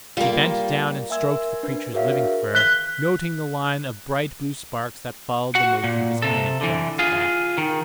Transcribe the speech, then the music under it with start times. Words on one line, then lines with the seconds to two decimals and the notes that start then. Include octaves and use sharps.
He bent down and stroked the creature's living fur, noting the line of bright blue sparks that followed the motion of his hand down its back.
0.17 G3 A#3 F4 G4
1.10 A#4 E5 G#5 C6 E6 G#6
1.63 D4 B4
1.93 F#4 G#4 A#4 C#5 E5 F5
2.55 F#6 B6 G7
5.55 F#4 F#5
5.84 A#2
6.22 C3 A4
6.61 D3 E3
6.99 F4 G#4
7.58 D#3